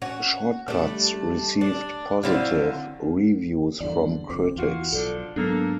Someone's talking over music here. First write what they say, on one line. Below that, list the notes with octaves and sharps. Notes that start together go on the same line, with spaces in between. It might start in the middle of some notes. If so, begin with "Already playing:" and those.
"Short Cuts" received positive reviews from critics.
C#4 F#4
G3 A3 D4
D4
D3 F#3 C4 E4 F5
E2 G2 D3 D5
F#1 F2 C4 D6
E2 E3 F4 F#4
B1 D3 F3 D4 A4
G#2 F#3 A#3 B3 D4 A4